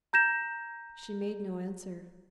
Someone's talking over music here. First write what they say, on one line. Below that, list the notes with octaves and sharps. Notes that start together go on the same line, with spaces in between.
She made no answer.
A#5 G6 A#6 E7